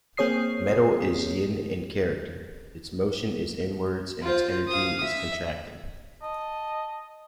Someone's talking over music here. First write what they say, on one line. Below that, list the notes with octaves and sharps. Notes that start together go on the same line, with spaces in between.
Metal is yin in character, its motion is inwards and its energy is contracting.
A#3 C4 G#4 C#5 D#6 C7
F4 C5
F5 D#6
E5
D#5 A5